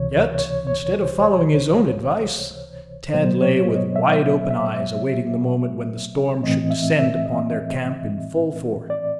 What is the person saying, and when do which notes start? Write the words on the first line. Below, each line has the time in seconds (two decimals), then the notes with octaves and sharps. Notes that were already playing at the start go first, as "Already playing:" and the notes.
Yet, instead of following his own advice, Tad lay with wide-open eyes awaiting the moment when the storm should descend upon their camp in full force.
Already playing: C#2 C3 E3 C#5
0.11 C#5
0.39 C#5
0.67 C#5
0.94 C5
1.21 C#5
3.13 B2 F#3 B3 C5
3.41 C#5
3.69 D#5
3.96 E5
4.23 E5
4.50 E5
6.43 A2 E3 A3 C4 D#5
6.70 E5
6.98 E5
7.26 D#5
8.90 D5